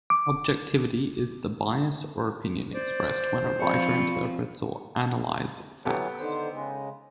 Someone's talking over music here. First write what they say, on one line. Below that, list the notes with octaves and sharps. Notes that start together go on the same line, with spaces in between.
Objectivity is the bias or opinion expressed when a writer interprets or analyze facts.
D6
C5 D5
F3 C4 F4 D5 F5 B5 C#6
E3 F#3 B3 G4 A4 C#5
D3 D#3 C5
C#3 G#3